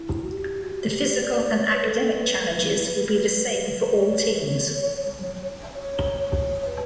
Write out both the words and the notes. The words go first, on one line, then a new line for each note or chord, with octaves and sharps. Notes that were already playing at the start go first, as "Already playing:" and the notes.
The physical and academic challenges will be the same for all teams.
Already playing: E4
F#4
G4
F#4
A4
G4
D5
D5
C#5
B4
A4
B4
C#5
C#5
C#5
B4